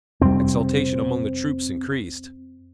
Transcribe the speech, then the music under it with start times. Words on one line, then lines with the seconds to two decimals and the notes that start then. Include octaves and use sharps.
Exultation among the troops increased.
0.22 F1 G3 C4